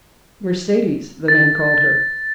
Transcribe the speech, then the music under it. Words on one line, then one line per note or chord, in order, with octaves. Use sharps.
"Mercedes" the men called her.
A6